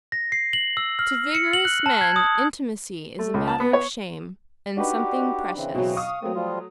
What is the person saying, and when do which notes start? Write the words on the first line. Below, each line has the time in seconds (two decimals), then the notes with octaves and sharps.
To vigorous men intimacy is a matter of shame--and something precious.
0.12 A#6
0.32 C7
0.53 F#7
0.77 E6
0.99 F6
1.35 C#7
1.53 F#7
1.65 F#6
1.86 A5
2.01 G#6
2.16 D#6
3.19 A3
3.34 C#2
3.48 A5
3.60 B3
3.73 C#5
4.77 D4 D#4 F#4 G4 B4
5.56 C#3 E3 C4
5.75 B2 F#3
5.97 F5 C#6 D#6
6.23 F#3 A3 A#3 C4
6.36 F3 G3 F4